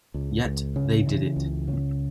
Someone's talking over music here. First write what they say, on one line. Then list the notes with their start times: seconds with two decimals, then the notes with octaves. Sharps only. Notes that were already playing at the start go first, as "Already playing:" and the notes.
Yet, they did it.
0.14 C#2
0.45 C#2
0.76 C#3
1.06 E3
1.36 C#2
1.68 C#3